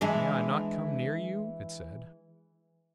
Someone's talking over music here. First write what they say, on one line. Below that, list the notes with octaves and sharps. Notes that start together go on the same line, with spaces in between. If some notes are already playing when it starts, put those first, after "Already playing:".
"May I not come near you?" it said.
E3 G#3 D4